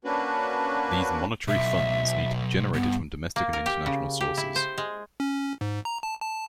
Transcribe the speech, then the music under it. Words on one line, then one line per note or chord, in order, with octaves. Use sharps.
These monetary funds need to be generated from domestic and international sources.
A#3 C#4 D4 F#4 B4
B1 E5
C2 G2 B3
A#3
A#4
G4
C#3
G4
E4
C5
G#3
C#4
G#2
A#5
A5
A5